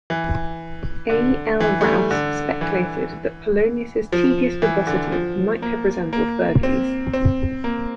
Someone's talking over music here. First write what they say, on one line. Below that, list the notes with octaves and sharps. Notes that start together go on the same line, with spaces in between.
A. L. Rowse speculated that Polonius's tedious verbosity might have resembled Burghley's.
E3
D3
E3
A3
G3
D3
E3
F3
E3
D3
F3
A#3
A#3
C4
C4
A#3